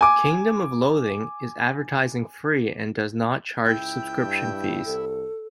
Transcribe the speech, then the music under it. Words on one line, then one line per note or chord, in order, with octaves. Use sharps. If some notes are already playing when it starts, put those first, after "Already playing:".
"Kingdom of Loathing" is advertising-free and does not charge subscription fees.
G#5 D6
C#2 E4 G5
G2
C2 A4